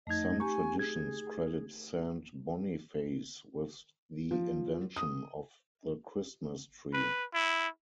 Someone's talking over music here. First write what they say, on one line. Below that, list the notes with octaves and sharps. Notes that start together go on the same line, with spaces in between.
Some traditions credit Saint Boniface with the invention of the Christmas tree.
F2 A3 D#4 D#5 G#6
G4 G#5 A#5 C#6
G#4 G#6
F3
D#6
B4
E4